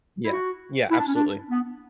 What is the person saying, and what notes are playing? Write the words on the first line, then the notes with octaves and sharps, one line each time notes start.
Yeah, yeah, absolutely.
E4
F#4
E4
D4
C#4
D4
B3